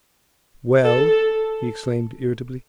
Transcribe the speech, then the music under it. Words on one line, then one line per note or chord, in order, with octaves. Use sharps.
'Well?' he exclaimed irritably.
A4